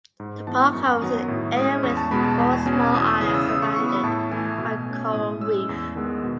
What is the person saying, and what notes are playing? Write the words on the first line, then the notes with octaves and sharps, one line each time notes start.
The park covers an area with four small islands surrounded by coral reef.
G#2
E3 B3 A5
F#2 C#6
D#3 F#3 B3 D#6
A2
G#3 C#4 D#6
E2 C#6
A5
B2 G#3 B3 B5
A5
E2 A5
G#5
B2 G#3 C#4 G#5
E2 D#6
D#6
C#3 E3 D#6
E6
C#3 D#6
C#6
E3 B3 C#6
B5
A2 A5
E3 A3 G#5
B2
A3 C#4
A2 D#6
G#3 C#4 E6
E2
D#3 G#3 B3
B2